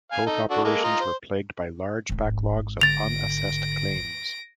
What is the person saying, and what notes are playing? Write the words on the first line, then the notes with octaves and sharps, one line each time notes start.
Both operations were plagued by large backlogs of unassessed claims.
F5 G#5
D#4 A4
D4 F#4 A4
G#3 A#3 A4
F4 D#5 A#5
C5
D1 G#1 G#2
D3 A6 A#6 D7 F7